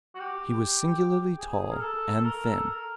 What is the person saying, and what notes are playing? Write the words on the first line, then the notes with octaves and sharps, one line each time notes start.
He was singularly tall and thin.
F#4
G4
G#4
A#4
A4
A4
A#4
A4
A#4